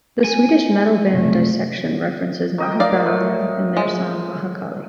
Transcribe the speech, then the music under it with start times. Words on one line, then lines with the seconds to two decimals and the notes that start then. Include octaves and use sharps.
The Swedish metal band, Dissection, references "Mahapralaya" in their song, "Maha Kali".
0.24 G#5
1.11 F#1 C3 A3
2.58 D#3 D#5 G5
2.80 D5 F5
3.06 A2
3.77 G#3